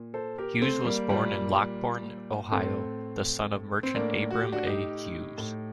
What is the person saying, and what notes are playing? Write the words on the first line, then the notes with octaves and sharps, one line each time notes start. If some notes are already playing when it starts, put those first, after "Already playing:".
Hughes was born in Lockbourne, Ohio, the son of merchant Abram A. Hughes.
Already playing: A#2
A4 C5
G4 A#4
A3 C4
G3 A#3
A#2 G3 A#3
A2 A3 C4
C4
A2 A#3 D4
F#4
G4
D4 F#4
D#4 G4
A2